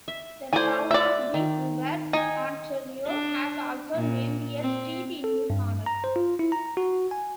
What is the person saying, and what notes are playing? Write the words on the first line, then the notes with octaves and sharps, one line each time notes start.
The town of Deep River, Ontario has also named a street in his honour.
E5
A3 E4 C5 D5 G#5
C5 D5 E5 F#5
D#3
D#4 G5 G#5
D4
A#2
C4
A4
G2
A#5
C5
F4
E4
A#5
F#4
G#5